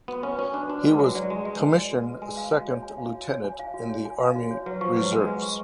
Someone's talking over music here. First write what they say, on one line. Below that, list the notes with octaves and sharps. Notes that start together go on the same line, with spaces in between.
He was commissioned second lieutenant in the Army Reserves.
B3 F#4
C#4 B4
C#4 F#4
D4 D5
D4 F#4
G#3 B4
F#3 F#4
F#3 D5
G#3 F#4
G#3 B4
F#4
D5
F#4
B4
G#3 G#5
F5
F#4
C#5
G#5
F5
F#4
C#5
G#5
F5
F#4
C#5
G#5
F5
F#4
C#5
F#3 B4
F3 C#6
F#3 B4
G#3 F#5
B4
C#6